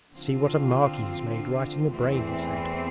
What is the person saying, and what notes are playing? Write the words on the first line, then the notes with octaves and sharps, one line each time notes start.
'See what a mark he has made right in the brain,' he said.
D3 F3 C4 F4
E2 E3 A3 C4